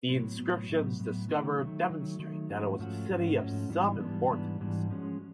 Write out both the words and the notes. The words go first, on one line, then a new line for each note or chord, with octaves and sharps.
The inscriptions discovered demonstrate that it was a city of some importance.
A2 F#3 B3
A2 F#3 B3
A2 F#3 B3
A2 F#3 B3
D#3 F#3 A3
D#3 F#3 A3
D#3 F#3 A3
D#3 F#3 A3
G#2 F3 A3 C#4 F#4
G#2 F3 A3 C#4 F#4
G#2 F3 A3 C#4 F#4
G#2 F3 A3 C#4 F#4
G#2 E3 G3 B3 D4
G#2 E3 G3 B3 D4
G#2 E3 G3 B3 D4
G#2 E3 G3 B3 D4
F3 G#3 C#4 F#4